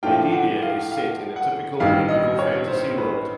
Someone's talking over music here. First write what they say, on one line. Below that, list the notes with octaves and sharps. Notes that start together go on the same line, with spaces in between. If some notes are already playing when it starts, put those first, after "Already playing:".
Medievia is set in a typical medieval fantasy world.
A2 F3 A3 D4 F4 G5
F#5
F5
F5
F#5
A1 G2 D#3 G3 F5
D#5
C#5
C5
B4